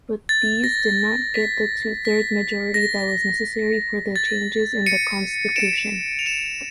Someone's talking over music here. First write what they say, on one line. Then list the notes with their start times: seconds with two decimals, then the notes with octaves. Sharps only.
But these did not get the two-thirds majority that was necessary for the changes in the constitution.
0.29 A6
0.64 A#6
1.34 B6
2.05 B6
2.74 A#6
4.16 A6
4.86 C#7 D#7
5.56 D7 E7
6.19 F7
6.26 D7 E7